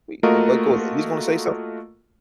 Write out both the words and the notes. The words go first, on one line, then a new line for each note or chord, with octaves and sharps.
We you know but go ahead, you was gonna say something?
A3 A#3 F4 F#4 A#4 D#5